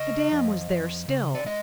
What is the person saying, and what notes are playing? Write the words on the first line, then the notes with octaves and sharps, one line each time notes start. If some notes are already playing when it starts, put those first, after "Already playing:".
The dam was there still.
Already playing: C#3 D#5
F2
F2
C#3
D5
G#3 D#5